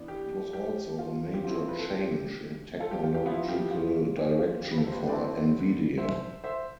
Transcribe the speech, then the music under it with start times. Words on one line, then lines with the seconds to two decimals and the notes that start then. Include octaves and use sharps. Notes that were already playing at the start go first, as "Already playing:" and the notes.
It was also a major change in technological direction for Nvidia.
Already playing: E3 B3 D4
0.08 G4
0.53 G4
0.99 F4
1.34 G4
1.44 F3 C4 E4 F4
1.68 B4
1.79 A4
1.90 G4
2.80 F4 A4
2.91 G4
3.03 F4
3.14 G4
3.26 F3 B3 E4 F4
3.49 G4
3.71 F4
4.16 G4
4.39 F4
4.62 G4
4.72 B4
4.78 F4 A4
4.87 C5
4.92 G4 B4
5.07 D3 A3 C4 E4 B4 D5
5.98 C5 E5
6.44 C5 E5